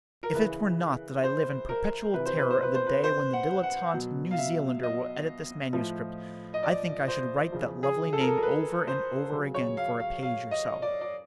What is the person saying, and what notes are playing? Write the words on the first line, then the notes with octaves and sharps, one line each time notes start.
If it were not that I live in perpetual terror of the day when the dilettante New Zealander will edit this manuscript, I think I should write that lovely name over and over again for a page or so.
A#4
C#3 E3 B4
C5
A#4
C3 E3 B4
C5
B4
C5
B4
C5
B4
C5
F#5
F#5
B2 F#3
F5
E5
D#5
A2 F3
D#5
D5
C5
C#3 F3
G#4
A4
A#4
A4
A#4
B4
C5
C#3 F#3
C#5
F5
F5
F5
D#5
D5
D5